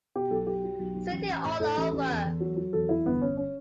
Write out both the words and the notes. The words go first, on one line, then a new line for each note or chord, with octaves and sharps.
City All Over!
B2 G4
B1 A4
B1 G4
F#3
B1
B1
A1
A1
A2
A2 A4
A1
A1
E2
E2
F#3
F#3
E2 A4
E2 E4
G1 B3
G1 C#4
C#4